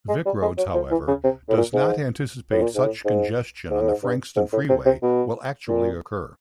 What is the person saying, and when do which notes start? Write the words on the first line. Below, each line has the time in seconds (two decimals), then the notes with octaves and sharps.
Vicroads however does not anticipate such congestion on the Frankston Freeway will actually occur.
0.08 G#3
0.26 G3
0.42 G#3
0.58 F#3
0.74 F3
0.91 E3
1.08 C#3
1.24 C3
1.49 A2
1.57 A#2
1.73 G#2
2.51 A2
2.61 A#2
2.75 G#2
2.83 A2
3.05 G#2
3.70 G#2
3.80 A2
3.88 G#2
4.03 G2
4.36 G#2
4.53 A2
4.69 C3
4.85 C3
5.03 B2
5.68 A#2